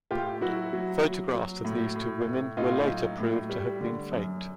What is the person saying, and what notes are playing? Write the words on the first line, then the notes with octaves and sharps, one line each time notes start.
Photographs of these two women were later proved to have been faked.
A2 F4 G4
F#3 E4 F#4
F#3
F#3
F#3
A2
A2
A2
A2 D#4 F4
F#3
A2
G3
D3
F#2